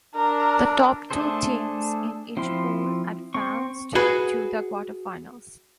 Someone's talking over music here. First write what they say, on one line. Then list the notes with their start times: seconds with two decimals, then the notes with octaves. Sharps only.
The top two teams in each pool advanced to the quarterfinals.
0.15 D4 A#4
1.11 A3 D4 G#4 A4 C5
2.37 F3 C4 E4 C6
3.34 C4 C#6
3.95 F#4 G#4 B4